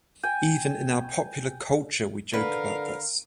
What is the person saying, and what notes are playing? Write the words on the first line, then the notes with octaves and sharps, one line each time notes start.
Even in our popular culture we joke about this.
G5 G#5
D3 A#4 B4 F5